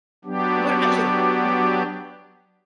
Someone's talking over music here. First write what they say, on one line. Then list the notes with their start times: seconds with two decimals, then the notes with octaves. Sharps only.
What about you? Mhm.
0.25 F#3 B3 D4 G4